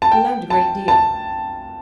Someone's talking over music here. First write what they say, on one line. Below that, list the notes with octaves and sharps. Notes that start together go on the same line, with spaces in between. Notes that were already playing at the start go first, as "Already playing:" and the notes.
We learned a great deal.
A5
G5
A5
A5